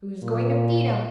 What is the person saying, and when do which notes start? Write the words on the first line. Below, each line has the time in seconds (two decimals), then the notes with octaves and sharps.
Who's going to feed 'em?
0.23 A#2